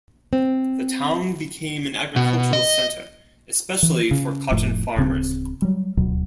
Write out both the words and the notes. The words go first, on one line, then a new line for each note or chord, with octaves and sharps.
The town became an agricultural center, especially for cotton farmers.
C4
B2
D#5
E3
C#3
F1 F2 A2
D1 C#3 C4
F#3 G3
D#1 D2 B2 F#3